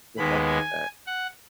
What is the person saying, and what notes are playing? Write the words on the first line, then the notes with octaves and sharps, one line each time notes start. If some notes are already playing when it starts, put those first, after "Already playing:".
Good luck with that.
D#2 D#3 G#3 B3 B5
G#5
F#5